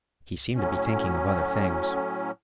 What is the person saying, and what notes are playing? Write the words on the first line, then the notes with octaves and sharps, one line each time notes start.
He seemed to be thinking of other things.
A2 F#3 C#4